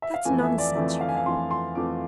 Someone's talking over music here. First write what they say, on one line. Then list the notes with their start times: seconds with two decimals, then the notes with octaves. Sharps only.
"That's nonsense, you know."
0.02 E5
0.14 F5
0.25 F2 E3 A3 G#5
0.43 E5
0.58 D5
0.75 F2 E3 A3 E5
1.01 F5
1.09 G#5
1.16 F5
1.26 F2 E3 A3 C6
1.51 C6
1.75 F2 E3 A3 D6